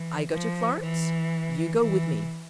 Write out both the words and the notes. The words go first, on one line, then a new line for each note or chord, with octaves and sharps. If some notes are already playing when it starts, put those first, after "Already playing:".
I go to Florence; you go with me.'
Already playing: E3
F3
E3
E3